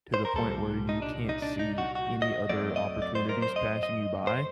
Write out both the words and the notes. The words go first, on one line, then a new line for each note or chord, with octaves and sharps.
to the point where you can't see any other opportunities passing you by,
C5
A#4
C2 A#2 G3 A4
D#4
D4
D#4
D4
D#4
F#4
F#4
D#5
F#2 F#3 A3 C4 D5
D#5
D5
C5
A#4
C5
D#5
D#5
C5